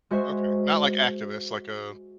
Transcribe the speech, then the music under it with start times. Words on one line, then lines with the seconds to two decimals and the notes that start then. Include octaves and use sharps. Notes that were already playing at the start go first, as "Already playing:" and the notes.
Okay, not like activists like a
0.11 G#3 F#4 C5 E5 C#6 B6